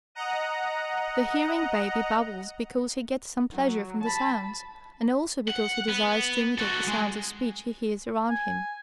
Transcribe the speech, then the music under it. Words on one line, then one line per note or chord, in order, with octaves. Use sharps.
The hearing baby babbles because he gets some pleasure from the sounds, and also because he desires to imitate the sounds of speech he hears around him.
D#5 F#5 A#5
F#3
A5 B5
F#5
B3
F#4 A4
G#3
G#5